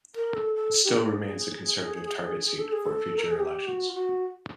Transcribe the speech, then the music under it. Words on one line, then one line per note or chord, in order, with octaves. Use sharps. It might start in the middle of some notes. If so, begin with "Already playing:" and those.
It still remains a Conservative target seat for future elections.
A#4
A4
A4
G4
G#4
A4
G#4
A4
A#4
A4
G#4
G4
F#4
F4
F#4